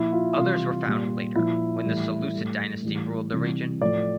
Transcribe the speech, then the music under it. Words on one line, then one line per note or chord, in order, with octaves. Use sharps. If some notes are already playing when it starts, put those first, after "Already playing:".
Others were founded later, when the Seleucid dynasty ruled the region.
Already playing: A#2 F3 E4
F4
C3 E3 G3 F4
A#2 G3
A#2 F3 E4
A2 E3 G3
A2 G3
A2 E3 G3
C3 E3 G3
A2 F3 D5